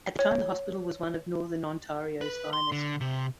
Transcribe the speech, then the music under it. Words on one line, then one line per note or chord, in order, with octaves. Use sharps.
At the time the hospital was one of northern Ontario's finest.
C#5
B4
C6
D3
C3